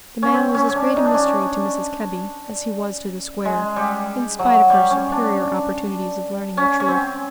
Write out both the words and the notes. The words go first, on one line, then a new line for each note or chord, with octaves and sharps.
The man was as great a mystery to Mrs. Kebby as he was to the square, in spite of her superior opportunities of learning the truth.
C#4
C4
C#4
C#4
D4
D#4
D4
C#4
D4
G#3
G3
F#3
G3
C#4
D4
C#4
C#4
C4